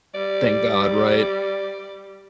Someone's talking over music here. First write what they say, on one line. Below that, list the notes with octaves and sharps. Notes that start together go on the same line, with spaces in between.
Thank god, right?
G3 D5